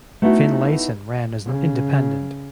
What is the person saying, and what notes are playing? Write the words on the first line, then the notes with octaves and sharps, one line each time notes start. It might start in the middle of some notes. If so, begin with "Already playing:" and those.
Finlayson ran as an independent.
A3 B3 D#4 E4 F#4
C#3